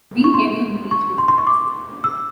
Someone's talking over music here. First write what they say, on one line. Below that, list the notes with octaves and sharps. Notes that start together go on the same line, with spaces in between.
Being heavy on the beach is worse.
C#6
C6
C#6
C6
C6
C#6
D6
E6